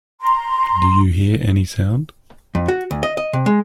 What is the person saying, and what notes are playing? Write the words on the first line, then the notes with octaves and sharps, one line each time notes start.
Do you hear any sound?
A#5 C6
F2
F#4
D2
D#5
D#5
C3
G#3